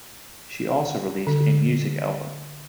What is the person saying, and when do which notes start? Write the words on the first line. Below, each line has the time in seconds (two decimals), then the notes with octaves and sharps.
She also released a music album.
1.27 D3